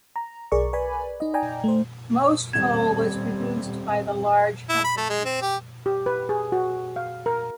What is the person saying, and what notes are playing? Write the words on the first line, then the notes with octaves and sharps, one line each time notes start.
Most coal was produced by the large companies.
A#5
B1 G#4 A#4 D5 C#6
B4 D5 G#5 B5
D#4 D#5
D5 G5 G#5 A#5
A3 C5
D#1 G3 C4 G#6 E7
E4
B5
A3
G#3
C4
G4
G4
B4
G#4
F#4
F5
A#4